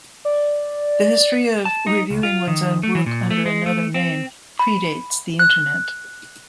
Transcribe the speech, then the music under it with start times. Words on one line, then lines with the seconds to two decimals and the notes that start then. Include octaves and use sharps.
The history of reviewing one's own work under another name predates the Internet.
0.25 D5
1.65 A5
1.87 D#4
2.10 C#2
2.23 F4
2.47 D#3
2.83 A3
2.95 E3
3.06 A#2
3.30 A3
3.46 G#3
3.66 A3
3.94 C4
4.59 B5
5.39 F#6